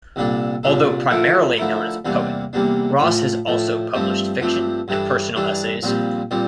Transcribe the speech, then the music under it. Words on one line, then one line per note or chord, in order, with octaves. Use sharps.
Although primarily known as a poet, Ross has also published fiction and personal essays.
C2 A#2 G3 D4 A4
C2 A#2 G3 D4 A4
D3 F3 A3 E4 A#4
D3 F3 A3 E4 A#4
E2 C3 G3 A#3 D4
E2 C3 G3 A#3 D4
A2 F3 A3
A2 F3 A3
G2 F3 A3 C4 G4
G2 F3 A3 C4 G4
G2 E3 G3 D4 A4
G2 E3 G3 D4 A4
A#1 A#2 G3 C4 G4
A#2 G3 C4 G4